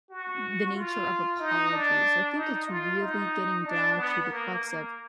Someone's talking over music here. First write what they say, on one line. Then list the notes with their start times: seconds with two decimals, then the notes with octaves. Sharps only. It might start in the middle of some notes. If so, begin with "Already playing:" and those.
m the nature of apologies, I think it's really getting down to the crux of
0.10 F#4
0.75 F4
1.40 D#4
1.72 D4
2.36 D#4
2.69 F4
3.01 D#4
3.65 D4
3.97 B3
4.29 A#3
4.62 A#3